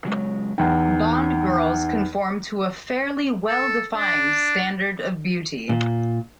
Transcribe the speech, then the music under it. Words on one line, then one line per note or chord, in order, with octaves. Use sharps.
Bond girls conform to a fairly well-defined standard of beauty.
C#3 F#3 G#3
E2 D#4 G5
A4
D4
A#2